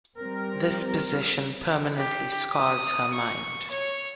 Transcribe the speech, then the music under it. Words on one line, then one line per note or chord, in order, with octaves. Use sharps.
This possession permanently scars her mind.
G3 C4 A#4
G4
D#6
C#6
C#5